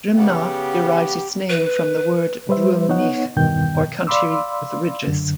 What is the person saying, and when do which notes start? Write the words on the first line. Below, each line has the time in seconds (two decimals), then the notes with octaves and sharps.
Drimnagh derives its name from the word "druimneach", or country with ridges.
0.18 C#3 B3 G4
1.50 B4
2.49 G3 B4 C5 E5
2.89 B3 D#4 C#5 F#5
3.36 E2 G2 B2 D#3 G5 G6
4.07 D5 F5 B5 C6 D6 E6
5.07 F#2 D3